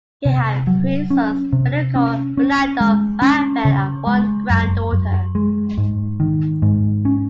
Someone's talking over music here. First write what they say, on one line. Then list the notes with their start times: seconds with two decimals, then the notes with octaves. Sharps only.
He had three sons, Federico, Fernando and Rafael, and one granddaughter.
0.25 C3
0.67 F#3
1.10 C#4
1.53 C3
1.96 C#4
2.37 C#4
2.81 G#3
3.22 C#4
3.65 C#3
4.07 G#3
4.50 F#2
4.93 F#2
5.35 G#3
5.78 G#2
6.20 D#3
6.62 G#2
7.05 C#4